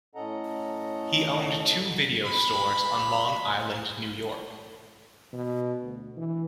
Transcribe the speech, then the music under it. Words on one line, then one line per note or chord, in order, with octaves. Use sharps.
He owned two video stores on Long Island, New York.
A2 C#4 A4 D#5 F#5 A#5
G#3 B5
B2
D2
E3